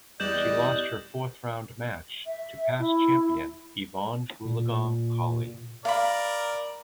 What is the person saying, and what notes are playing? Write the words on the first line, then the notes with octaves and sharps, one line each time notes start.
She lost her fourth round match to past champion Evonne Goolagong Cawley.
E2 G3 D5 D#5 F#6 G6 E7 F#7
E5
E4
A#2
A#4 D5 F5 B5